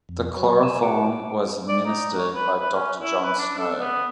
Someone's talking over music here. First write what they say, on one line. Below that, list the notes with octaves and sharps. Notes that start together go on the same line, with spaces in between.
The chloroform was administered by Doctor John Snow.
F2
F#3 B4 C#5
C5 G#5 E6
G#3 F#4 A#4 F#5 D6
D6
D5
D#4
C#5
B4
B4
C#4
E4
B4
D4
A4
B3